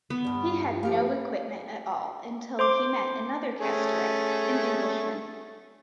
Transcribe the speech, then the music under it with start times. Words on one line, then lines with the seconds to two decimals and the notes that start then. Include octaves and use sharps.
He had no equipment at all until he met another castaway, an Englishman.
0.10 B3
0.25 E2 G2 G3
0.83 F3 G4 F5
2.59 C5 C6 D6
3.60 A3 C#4 G#4